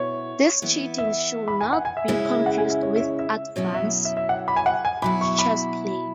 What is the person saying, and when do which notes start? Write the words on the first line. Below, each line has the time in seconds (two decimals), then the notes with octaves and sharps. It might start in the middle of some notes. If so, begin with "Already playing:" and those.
This cheating should not be confused with Advanced Chess play.
Already playing: B2 B3 E4 C#5
0.62 E3 B3 E4
0.98 E5
1.48 B5
1.61 G#5
1.73 F#5
1.85 G#5
1.97 E5
2.08 C#3 G#3 C#4 E4 E5
2.46 F#5
2.58 G#5
2.70 E5
2.83 C#5
2.96 E5
3.00 C#5
3.19 E5
3.56 B2 F#3 C#4 E4 C#5
3.75 E5
4.05 E5
4.17 E5
4.29 F#5
4.48 B5
4.56 G#5
4.66 F#5
4.85 G#5
5.02 B2 F#3 E4 B5
5.21 C#6
5.39 B5